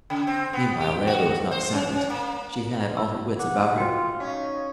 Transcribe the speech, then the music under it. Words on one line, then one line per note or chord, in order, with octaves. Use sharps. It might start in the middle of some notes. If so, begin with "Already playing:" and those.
Meanwhile Layelah was not silent; she had all her wits about her.
C#3
C4
B3
G4
F#4
C5
C#4
C#4
A#3
E6
F#5 D6
F4 F#4 G5 C6
C#4 D#4 F5